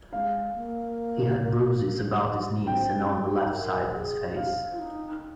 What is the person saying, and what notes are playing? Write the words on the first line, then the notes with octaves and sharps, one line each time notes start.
He had bruises about his knees and on the left side of his face.
G#3 F5
A#3
C4 G5
C#4
D#4
A#4
G#4
F5
F4
D#4